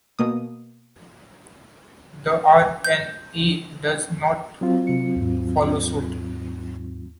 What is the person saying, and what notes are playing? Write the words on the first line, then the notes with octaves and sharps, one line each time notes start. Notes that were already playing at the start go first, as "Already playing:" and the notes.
The R and A does not follow suit.
B2 A#3 D#6
G6
F#3 C4 F4
C3 C#7
D#2 G#2